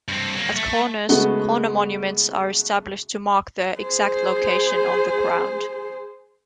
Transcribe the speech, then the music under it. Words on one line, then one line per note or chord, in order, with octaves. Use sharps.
At corners, "corner monuments" are established to mark their exact location on the ground.
G2 C4
F#3 A#3
A3
C#3 G#3 A3 B3 F#4 G7
G#4 C5